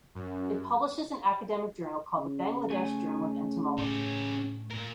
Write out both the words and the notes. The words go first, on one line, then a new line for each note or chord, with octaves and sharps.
It publishes an academic journal called the Bangladesh Journal of Entomology.
F#2
C#3
A3 G#5
A2 C#4 G4
A#2 A#4